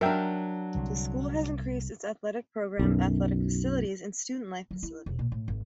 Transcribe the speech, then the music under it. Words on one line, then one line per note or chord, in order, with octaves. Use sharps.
The school has increased its athletic program, athletic facilities, and student life facilities.
F#3 D4 A#4 E5 G5
C2 D3
B1 F#2
F#3
E4
E1
A#2
A2
G#1